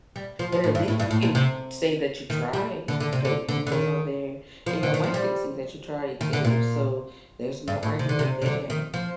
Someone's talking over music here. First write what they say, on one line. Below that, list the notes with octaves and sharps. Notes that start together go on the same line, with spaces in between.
But at least you can say that you tried, that you went out there, and your wife can see that you tried too, so there's no argument there.
G3
F3
F3
A2
G2
A2
G2
A2
A#2
C3
D#3
G3
D3
D3
C3
D3
D3
D3
D#3
F3
D3
D#3
F3
G3
D#3
D3
A#2
G2
A2
C3
D3
C3
C3
D3
D#3
F3